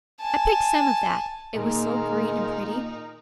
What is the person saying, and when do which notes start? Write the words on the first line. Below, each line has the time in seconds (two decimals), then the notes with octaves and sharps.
I picked some of that, it was so green and pretty.
0.20 G#5 A5
1.55 A#2 D#3 G#3 A#3 D#4 A#4